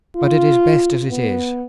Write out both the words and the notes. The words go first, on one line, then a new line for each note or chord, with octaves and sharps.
But it is best as it is.
F4
B3